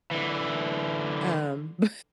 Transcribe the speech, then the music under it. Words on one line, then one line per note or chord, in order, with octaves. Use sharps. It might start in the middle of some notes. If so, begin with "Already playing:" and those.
Um, bu
D3 E3